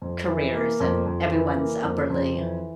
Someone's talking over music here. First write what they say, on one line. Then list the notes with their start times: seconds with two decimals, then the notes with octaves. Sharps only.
careers and everyone's upwardly
0.02 F2
0.28 E3
0.54 A#3
0.80 F2
1.06 F2
1.32 E3
1.58 A#3
1.84 F2
2.10 F2
2.36 E3